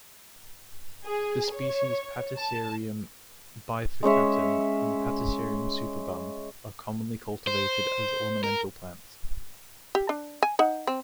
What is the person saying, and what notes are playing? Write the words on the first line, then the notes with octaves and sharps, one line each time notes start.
The species "Platycerium bifurcatum" and "Platycerium superbum" are commonly cultivated as ornamental plants.
G#4
C#5
A5
G#3 C#4 C#5 E5
C5
A#4
G4
D4
G#5
D#4 F#5
C4